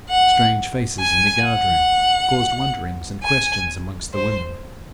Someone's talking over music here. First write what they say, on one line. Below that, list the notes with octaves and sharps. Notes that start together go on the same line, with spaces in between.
Strange faces in the guard-room caused wonderings and questions amongst the women.
F#5
G#5
F#5
G#5
C5